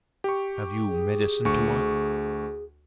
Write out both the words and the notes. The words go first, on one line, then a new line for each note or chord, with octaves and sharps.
"Have you medicine, Tuan?"
G4 C#6
G#4
D2 C#6